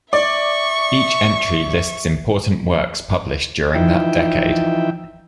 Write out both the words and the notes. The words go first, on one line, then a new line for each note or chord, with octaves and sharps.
Each entry lists important works published during that decade.
D5 E5 C#6
E3 F3 D#4 E5 G5